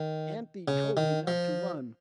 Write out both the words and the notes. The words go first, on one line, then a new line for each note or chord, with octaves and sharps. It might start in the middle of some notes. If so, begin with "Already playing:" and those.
'Aunty told me not to run.
Already playing: D#3
C#3
D#3
F3